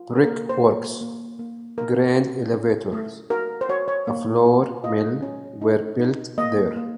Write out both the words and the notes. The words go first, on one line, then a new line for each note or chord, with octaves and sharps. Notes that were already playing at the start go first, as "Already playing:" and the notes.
Brickworks, grain elevators, a floor mill were built there.
Already playing: F4
A#3 A#4
C5
A#3
A#3
A#3
A#3 A#4
F#4
C#4
A3
F#4 A#4
C5
F#4 C#5
C#5
A#3
F4
F4 D#5
C#4
D#4
D#4
A#3 D#5
A#3